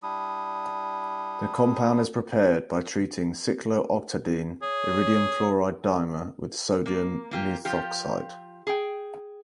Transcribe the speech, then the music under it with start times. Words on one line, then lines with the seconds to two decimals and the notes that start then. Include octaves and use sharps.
The compound is prepared by treating cyclooctadiene iridium chloride dimer with sodium methoxide.
0.03 G3 D4 E4 D#6
4.62 G#4 C#5
6.86 A#3
7.31 A#3 F4 G4
7.65 F3 F4 G4
8.67 G#4 G5